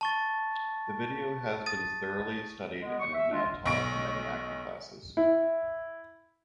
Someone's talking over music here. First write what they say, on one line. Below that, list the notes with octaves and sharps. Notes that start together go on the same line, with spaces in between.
The video has been thoroughly studied and is now taught in many acting classes.
A5 C#6 A6
D#6 A6 D#7
G#3 B3
C#6
E5
G#3 D4 F4
B1 C#6 D7
E4